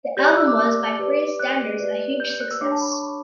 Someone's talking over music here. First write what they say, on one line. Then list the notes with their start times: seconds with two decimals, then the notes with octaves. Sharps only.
The album was, by Free's standards, a huge success.
0.17 G4 D5 G6
0.27 F#6
0.37 E6
0.47 D6
0.58 D6
0.99 G4 B4 D5
1.40 F#6
1.79 G4 B4 D5
2.20 G6
2.30 G6
2.41 F#6
2.51 E6
2.61 D4 G4 C#5 D6
2.72 A5
2.81 B5
2.92 C#6
3.01 B5